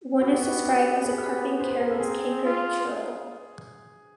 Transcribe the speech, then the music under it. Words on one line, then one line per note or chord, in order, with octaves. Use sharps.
One is described as a carping careless cankerd churle.
B3 F#4
G4
F#4
G4
G#4
G4
C5
B4
A#4
A4
C4 G#4
F4